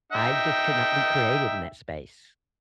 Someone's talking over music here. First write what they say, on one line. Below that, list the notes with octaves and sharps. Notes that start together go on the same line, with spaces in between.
I just could not be creative in that space.
D#4 E5 G5